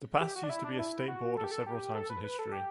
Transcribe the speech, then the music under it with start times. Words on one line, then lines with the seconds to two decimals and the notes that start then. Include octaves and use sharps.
The pass used to be a state border several times in history.
0.20 G4
0.35 F#4
0.43 D4
0.50 E4
0.64 D4
0.79 E4
1.08 F#4
1.37 A4
1.44 G4
1.51 A4
1.66 G4
1.95 A4
2.10 B4
2.24 B4
2.39 A4
2.52 G4